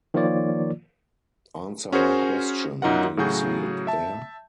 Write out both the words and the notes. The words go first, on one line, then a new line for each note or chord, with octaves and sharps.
Answer my question. Do you see it there?
D#3 F3 A#3 F4 C#5 D5
C#4 F#4 G#4 A#4 C5 C#5
F#2 D#4 F4 A#4 F#5
A2 C#3 F#3 F#4 G#4 G6
E5 A5